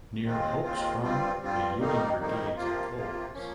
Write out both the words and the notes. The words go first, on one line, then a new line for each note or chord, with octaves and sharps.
Near Hoke's Run, the Union brigades of Cols.
D#2 D#3 G#3 C4 F4
D#2 D#3 G#3 C4 F4
G2 G3 C4 F4
G2 G3 C4 F4
F2 D#3 G3 A#3 D#4
F2 D#3 G3 A#3 D#4
C3 F3 A#3 F4
C3 F3 A#3 F4
F3 A#3 C#4